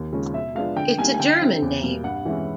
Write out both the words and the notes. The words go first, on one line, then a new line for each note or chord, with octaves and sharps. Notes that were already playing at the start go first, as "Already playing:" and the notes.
It's a German name.
Already playing: D#2
C#3 F3 G#3 C#4
B2 E5
G#3 B3 D4 F4 F5
D3 G5
G3 A#3 D#4 G#5
G#5
D3 G5
G3 C4 E4
E2
B2 G3 A#3
G2 F#5
E3 G#3 C#4 E4